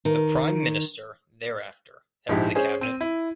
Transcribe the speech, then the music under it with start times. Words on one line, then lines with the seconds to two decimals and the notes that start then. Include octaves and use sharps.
The prime minister thereafter heads the Cabinet.
0.05 D#3
2.29 A#1 G#2 F3 E4 G4
2.55 C#4 G#4 C5 G#5
2.81 C4 D#7
3.01 E4